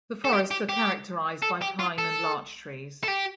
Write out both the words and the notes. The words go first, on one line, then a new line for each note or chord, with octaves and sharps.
The forests are characterized by pine and larch trees.
A4
G4
G4
G4
A4
G4
F4
A4
A4
G4